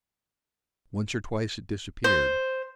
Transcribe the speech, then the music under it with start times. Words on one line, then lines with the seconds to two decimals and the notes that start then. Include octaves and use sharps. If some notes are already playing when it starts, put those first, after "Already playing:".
Once or twice it disappeared.
2.04 C5